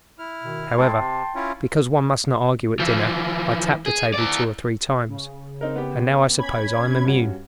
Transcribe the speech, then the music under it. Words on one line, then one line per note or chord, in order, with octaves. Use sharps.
However, because one must not argue at dinner I tapped the table two or three times... and now I suppose I am immune.
E4 F6
B2 D#3
G#3 A3 E4 G5 A5 C6
C3
C#4 E4 F4
E3 F3
G#4
E4 D5
C#3
C4 D#4 A#4
B3 G4
C#4 B5 G#6
G2 C#4 F#4